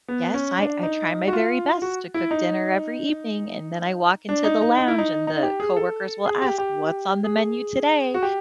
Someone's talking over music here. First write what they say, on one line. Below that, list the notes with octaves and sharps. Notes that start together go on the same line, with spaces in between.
"Yes, I I try my very best to cook dinner every evening," and then I walk into the lounge, and the coworkers will ask, "What's on the menu today?"
B3
C#4
D4
D#4
F#4
F4
F#4
E4
D#4
D4
D#4
D#4
D#4
E4
D#4
D#4
G4
G#4
A4
G#4
G4
G4
G#4
F#4
G4